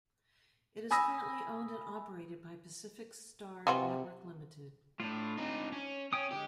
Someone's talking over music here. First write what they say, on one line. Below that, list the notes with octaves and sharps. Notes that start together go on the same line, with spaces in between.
It is currently owned and operated by Pacific Star Network Limited.
G#5 B5 D#6 E6 A#6
C3 E3 F4 F#4
A2 D4 F4
C4 D#4
C#4
C#4 C#5 G5 D#6
D3 G#3 G4